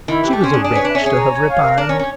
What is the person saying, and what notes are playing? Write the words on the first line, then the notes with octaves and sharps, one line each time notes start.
She was a wretch to have repined.
D#3 E4
E3 G4
A3
C#4
C4
D4 G#4
D4
B4
C#4
D4 E5
C#4
G#4
C#4
A#5
C#5
F5
A#4
D4 A#4
C#4
C#5
C#4